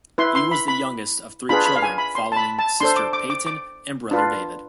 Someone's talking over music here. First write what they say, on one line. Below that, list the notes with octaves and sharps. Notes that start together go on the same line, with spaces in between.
He was the youngest of three children, following sister Peyton and brother David.
E4 B4 C6
C6
B5
B5
D4 F4 G#4 B4 B5
B5
F5
G#5
B5
C6
A5
B5
A5
D4 A4 C5 C6
D6
D6
D6
D6
D4 F4 B4